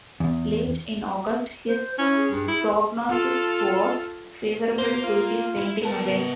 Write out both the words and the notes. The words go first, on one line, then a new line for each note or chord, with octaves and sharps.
Late in August his prognosis was favorable to his painting again.
E2
C5
C#4 E4
G#4
G2
E4
F4 A4
A#3 C5
F4
E4 B5
B3 A#4 A5